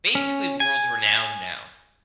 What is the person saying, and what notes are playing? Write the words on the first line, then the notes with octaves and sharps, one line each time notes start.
basically world-renowned now
C#4
G#5